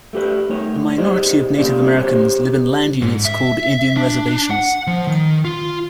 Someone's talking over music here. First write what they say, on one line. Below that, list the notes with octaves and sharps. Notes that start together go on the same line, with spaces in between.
A minority of Native Americans live in land units called Indian reservations.
A3 G4 B4
A3 D#4 C#5
D#4 G4 G#4 C5 D5 D#5
A#3 C#4 G4 D5
C#4 G4 A#4 C5 C#5
G#2
E5
D4
F#5
F3
D#3
F4